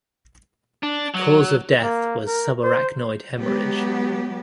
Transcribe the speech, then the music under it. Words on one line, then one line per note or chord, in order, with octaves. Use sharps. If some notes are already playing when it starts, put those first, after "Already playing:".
The cause of death was subarachnoid haemorrhage.
D4
F#3
A#3
A#4
C5
F#3 G#3 B3 G4